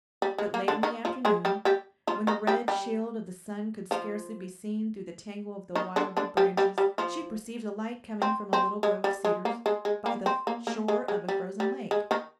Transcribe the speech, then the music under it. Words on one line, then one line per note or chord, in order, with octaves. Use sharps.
But late in the afternoon, when the red shield of the sun could scarcely be seen through the tangle of the wild wood-branches, she perceived a light coming from a little grove of cedars by the shore of a frozen lake.
G3
G#3
A#3
D3 D4
D#3 D#4
F3 F4
G#3 G#4
G3 G4
G3 G4
F3 F4
D#3 D#4
G3 G4
G3 G4
F3 F4
D#3 D#4
D3 D4
D3 D4
G3 G4
G3 G4
G3 G4
F3 F4
C4
C4
G#3
G3
G#3
A#3
G#3
G#3
A#3
C4
A#3
A#3
G#3
G#3
G3
G3
G#3
D#3 D#4